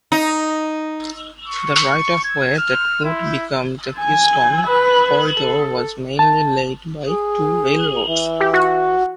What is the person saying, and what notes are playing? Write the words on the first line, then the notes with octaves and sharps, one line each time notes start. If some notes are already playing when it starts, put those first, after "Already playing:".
The right-of-way that would become the Keystone Corridor was mainly laid by two railroads.
D#4
C#6
G#6
F6
E4
G#5
B4
A4
A5
G#4
E3
G4
F#4